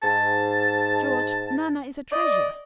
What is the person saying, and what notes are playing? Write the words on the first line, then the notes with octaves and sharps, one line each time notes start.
"George, Nana is a treasure."
G#2 A5
D5 D#5